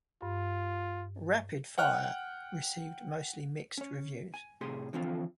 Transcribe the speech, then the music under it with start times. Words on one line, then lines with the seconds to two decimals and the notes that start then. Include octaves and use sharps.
"Rapid Fire" received mostly mixed reviews.
0.22 G2 F4
1.78 F#5 G5 F6 F#6
3.78 C#4 C#5
4.34 G#5
4.61 A2 C3 G4 G#4 C6
4.93 D3 E3 F3 C4 F4